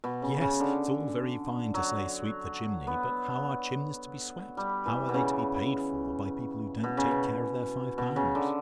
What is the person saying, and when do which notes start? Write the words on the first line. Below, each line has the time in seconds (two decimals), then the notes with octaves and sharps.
Yes, it's all very fine to say sweep the chimney--but how are chimneys to be swept--how are they to be paid for by people who don't take care of their five pounds?
0.04 B2
0.22 C#3
0.41 C#3
0.60 D3
1.74 F#3
2.87 B3
4.57 G3
4.86 E3
5.09 B2
5.14 C#3
6.84 B2
6.97 C#3
7.11 B2
7.98 B2
8.16 C#3
8.35 D3